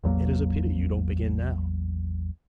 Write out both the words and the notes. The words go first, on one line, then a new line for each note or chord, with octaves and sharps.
'It is a pity you don't begin now.
A1 E2 F#3 A#3